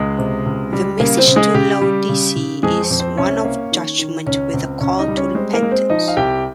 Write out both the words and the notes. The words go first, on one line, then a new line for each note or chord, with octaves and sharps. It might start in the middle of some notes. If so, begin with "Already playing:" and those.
The message to Laodicea is one of judgement with a call to repentance.
Already playing: C#2 G#3 G#4
C3
C#2
G3
C#3 A#3 A#4
C4 C5
C#3
G#3 G#4
C#3 G4
G3
C#3
C#3
F2 G#3 G#4
C4 C5
F2
C4 C5
C2 C#4 C#5
A#3
D#3
D#3
C#2 C#4 C#5
C#2 C4 C5
C#2 C#4 C#5
D#4 D#5
G3
C#4 C#5
G#3 C4 C5
A#3 A#4
G#3
C4 C5
F3 D#4 D#5
F5
C2 G4 G5